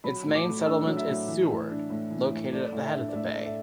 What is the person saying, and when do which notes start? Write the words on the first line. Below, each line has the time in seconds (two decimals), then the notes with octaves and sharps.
Its main settlement is Seward, located at the head of the bay.
0.04 F#3 B5
0.25 A2
0.35 D6
0.45 A3
0.66 D4 E6
0.87 F#3
0.97 E5
1.07 A2
1.28 E3
1.48 A2
1.69 D4
1.90 A2
2.11 E3
2.31 A2
2.52 A3 D5
2.73 A2
2.83 E5
2.93 D4
3.08 D5
3.15 A2 E5
3.35 A3 D5
3.46 E5